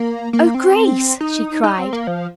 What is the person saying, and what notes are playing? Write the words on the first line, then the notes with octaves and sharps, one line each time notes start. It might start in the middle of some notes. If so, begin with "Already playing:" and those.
"Oh, Grace," she cried.
Already playing: A#3
A#3
C4
D#4
D#4
C4
A#3
F3